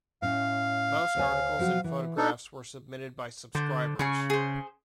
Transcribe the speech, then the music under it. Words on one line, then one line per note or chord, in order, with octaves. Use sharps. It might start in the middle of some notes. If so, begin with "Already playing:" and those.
Most articles and photographs were submitted by subscribers.
A2 C#4 F5
D2 C#5 G#5
F3 F#3 F#4
E3
D4 D#4 A4
D3 C5
C#3 G#4 G#5 C#6
G#4 C5